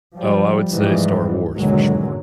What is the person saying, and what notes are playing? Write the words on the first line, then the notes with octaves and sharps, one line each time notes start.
oh, I would say Star Wars, for sure.
F3 G3
G#2 E3 F3 G3
D#2 G#2 B2 D3 F#3 G#3